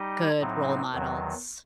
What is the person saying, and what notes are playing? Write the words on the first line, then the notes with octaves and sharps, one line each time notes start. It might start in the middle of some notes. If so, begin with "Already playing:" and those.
good role models.
Already playing: G3 D#4 G4 D#5
A2 F#3 C4 D#4
E2 D#3 F#3